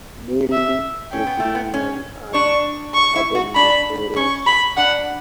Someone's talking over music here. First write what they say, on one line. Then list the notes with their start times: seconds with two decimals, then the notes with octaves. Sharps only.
Mainly Devonian and Carboniferous.
0.52 E5
1.12 C#4 G5
1.27 B3
1.40 A3
1.55 B3
1.74 C#4
2.34 D4 C#6
2.94 C#6
3.16 E4
3.35 F#4
3.55 D4 B5
4.16 C#4 C#6
4.46 B5
4.77 D4 F#5